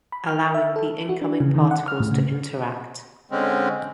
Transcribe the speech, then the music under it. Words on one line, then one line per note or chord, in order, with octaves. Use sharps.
Allowing the incoming particles to interact.
B5
F6
E5
A4
F#4
D4
C#3
D#3
F#5
F6
A2
C#3
D3 G#3 C4 C#4